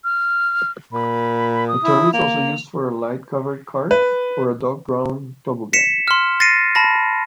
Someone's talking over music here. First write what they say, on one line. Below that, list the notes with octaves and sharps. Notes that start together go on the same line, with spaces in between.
The term is also used for a light covered cart or a dog-drawn toboggan.
F6
A#2 B5
D#6
E4
A#3 F7
B4
B6 C#7 E7
C6 F6
A6 A#6 C7 C#7 D#7
A5 B5 A#6